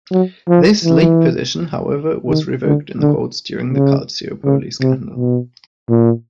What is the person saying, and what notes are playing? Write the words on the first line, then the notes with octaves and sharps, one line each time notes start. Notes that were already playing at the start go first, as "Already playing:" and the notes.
This league position, however, was revoked in the courts during the "Calciopoli" scandal.
F#3
F3
E3
D#3
D3
D3
C#3
C#3
C3
B2
A#2